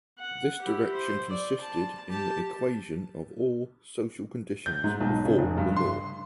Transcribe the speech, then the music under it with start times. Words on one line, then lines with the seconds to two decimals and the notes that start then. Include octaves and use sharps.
This direction consisted in the equation of all social conditions before the law.
0.19 F#5
0.62 E4 G4
0.94 C5
1.30 D5
1.61 A5
2.10 G4 A5
4.66 G6
4.84 G#2
5.00 B1
5.25 C#3
5.38 F1
5.57 G2
5.76 C6